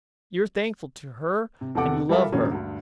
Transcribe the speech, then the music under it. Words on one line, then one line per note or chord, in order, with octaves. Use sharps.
You're thankful to her, and you love her.
C3
E2 C3 A4 F#5 D6
G3 F4 A4 A#4 E5
E1 G2 A#2 D3 G3 C#4
D2 G2